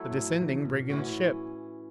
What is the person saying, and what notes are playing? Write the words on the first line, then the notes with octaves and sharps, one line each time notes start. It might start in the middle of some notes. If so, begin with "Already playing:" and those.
The descending brigand ship!
Already playing: F#3 A3 E4
A2
E3
C#3
A2
B2
A2 E3 C#4 F#4